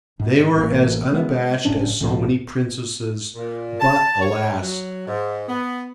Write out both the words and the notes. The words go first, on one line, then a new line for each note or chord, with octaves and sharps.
They were as unabashed as so many princesses, but, alas!
G#2
A1 A3 A#3
G#3 B3
F#1 A2 C#4 D4
C#2 A2 F3
A#2
A5
C#5
F#3
G#2
B3